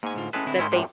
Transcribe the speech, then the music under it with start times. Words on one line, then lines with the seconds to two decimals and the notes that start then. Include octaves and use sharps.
that they
0.03 G#2 A#3 G#5
0.15 A2 D3 F4
0.33 A2 G#3 C#4 A4 B4
0.46 D3 C4 E4
0.59 G#2 D#3 C#4 E4 C6
0.72 F#2 A2 C3